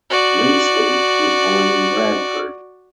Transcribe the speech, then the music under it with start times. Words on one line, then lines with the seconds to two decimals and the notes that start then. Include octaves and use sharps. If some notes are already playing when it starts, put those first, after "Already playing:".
Braithwaite was born in Bradford.
0.10 F#4 D5